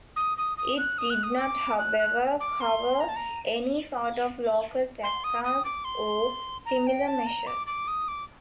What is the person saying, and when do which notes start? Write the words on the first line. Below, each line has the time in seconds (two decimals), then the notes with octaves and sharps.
It did not however, cover any sort of local taxes or similar measures.
0.16 D#6
0.38 D#6
0.58 D#6
0.78 F#6
0.98 D#6
1.10 F#6
1.23 D#6
1.38 D6
1.79 F#6
1.99 F#6
2.40 D6
2.61 C6
3.00 A#5
3.09 A5
3.16 A#5
5.03 C6
5.24 D#6
5.44 D#6
5.65 D6
5.84 C6
6.65 A#5
6.87 G5
7.07 A5
7.27 A#5
7.47 D6
7.67 D6
7.88 D#6
8.08 D6